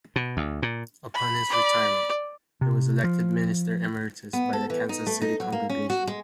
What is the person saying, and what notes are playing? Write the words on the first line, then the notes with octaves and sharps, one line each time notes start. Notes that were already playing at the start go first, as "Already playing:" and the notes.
Upon his retirement, he was elected Minister Emeritus by the Kansas City congregation.
B2
D2
A#2
B5
D5
C3
F3
B3
A4
E3
D#4
A3
D#4
F#3
A#3
C#4
F#4
G#3